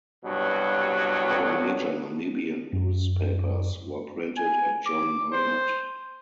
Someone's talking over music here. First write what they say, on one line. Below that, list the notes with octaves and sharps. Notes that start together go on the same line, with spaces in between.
All major Namibian newspapers were printed at John Meinert.
C2 G2 B2 F#3
F#2
G#5
D6
C5